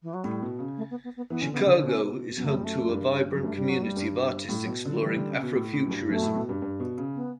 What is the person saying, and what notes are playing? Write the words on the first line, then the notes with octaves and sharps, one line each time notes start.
Chicago is home to a vibrant community of artists exploring Afrofuturism.
E3
F#3
A2 G3
B2
C#3
A3
B3
B3
B3
E3 B3
D3 C#4
C#3 B3
D3
B2 C#4
F#2 B3
A3
G3
A3
G2
F#2
G2 A3
G3
F#3
G3
G2
A2 G3
F#3
B2
D3 F#3
A3
E3 G3
D3
C#3
B2
A2
A2
F#2
G2
F#2 A3
B2
A2
B2
G2
G2
B2
C#3
B3